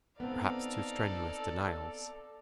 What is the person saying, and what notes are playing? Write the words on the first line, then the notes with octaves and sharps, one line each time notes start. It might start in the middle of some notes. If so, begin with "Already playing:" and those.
Perhaps too strenuous denials.
B3 C4 D#4 A4 D5 F5